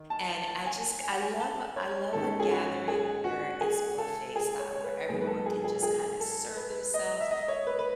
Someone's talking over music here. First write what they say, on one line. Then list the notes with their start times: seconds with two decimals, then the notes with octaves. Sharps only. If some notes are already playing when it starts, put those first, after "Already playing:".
and I just g I love I love a gathering where it's buffet style, where everyone can just kinda serve themselves,
Already playing: D#3
0.10 A5
0.29 A5
0.48 A5
0.66 G#5
1.03 G#5
1.12 F#5
1.22 G#5
1.40 A5
1.76 C#5
2.13 G#2 D#3 G#3 C#4 A4
2.40 G#4
2.51 F#4
2.88 G#4
3.24 F#4
3.61 G#4
3.98 A4
4.36 G#4
4.59 C#5
4.75 C#5
4.84 B4
5.09 G#2 D#3 F#3 B3 G#4
5.21 B4
5.27 A4
5.46 G#4
5.64 G#4
5.83 G#4
6.20 A4
6.57 B4
6.94 D#5
7.20 E5
7.31 D#5
7.48 C#5
7.67 B4
7.79 B4